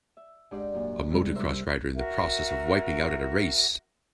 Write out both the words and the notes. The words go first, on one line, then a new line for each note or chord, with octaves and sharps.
A motocross rider in the process of wiping out at a race.
E5
G#2 G#3 D4 G4 D5
F#2 A#2
C3 G3 G#3
A#4 C5 E5
F#4 A#4 E5